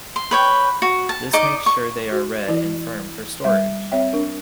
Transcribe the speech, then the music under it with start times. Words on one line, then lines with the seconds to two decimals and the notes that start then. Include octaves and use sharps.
This makes sure they are red and firm for storage.
0.16 C6
0.31 B4 C#5 G5
0.82 F#4
1.09 A5
1.33 D#4 D5 D#5 D6
1.66 C#6
2.11 F#4
2.48 E3 E4 D5
3.44 G3 E5
3.92 C4 C#5 E5 G5
4.13 D4 A#4